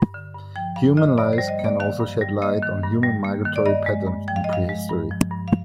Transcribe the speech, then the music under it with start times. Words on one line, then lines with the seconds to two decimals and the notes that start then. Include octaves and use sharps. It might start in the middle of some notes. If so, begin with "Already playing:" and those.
Human lice can also shed light on human migratory patterns in pre-history.
Already playing: G2
0.14 D3
0.35 G2
0.56 F3 G5
0.76 G2 F5
0.97 D3 D#5
1.18 G2 D5
1.33 C5
1.38 G3
1.49 D#5
1.59 A#3
1.64 D5
1.80 D#3 F5
2.00 G2
2.21 G3
2.42 A#3 D#5
2.63 D#3
2.83 G2
3.03 G3
3.25 A#3
3.45 D#3
3.56 D5
3.66 G2 D#5
3.86 G#3
4.07 G2
4.28 F3 G5
4.36 F5
4.44 D#5
4.49 G2 F5
4.69 G#3
4.90 G2
5.11 F3
5.31 G2
5.48 F5